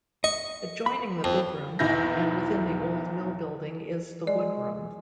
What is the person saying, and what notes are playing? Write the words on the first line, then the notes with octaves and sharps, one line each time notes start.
Adjoining the Big Room and within the old mill building is the Wood Room.
D#5 C#6
B5
F2
B1 E2 D#3 E4 G6 A#6
G#3 D5